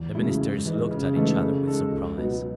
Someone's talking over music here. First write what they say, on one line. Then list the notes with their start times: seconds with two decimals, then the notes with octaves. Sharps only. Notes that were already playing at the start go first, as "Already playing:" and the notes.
The ministers looked at each other with surprise.
Already playing: E2
0.14 C#3 F#3 A3 E4
0.40 G#2
0.65 E3 G#3 D#4
0.91 C#3
1.15 E3 A3 D#4 A4
1.41 C#3
1.66 G#3 D#4 A4
1.91 C#2
2.17 B2 F#3 B3 D#4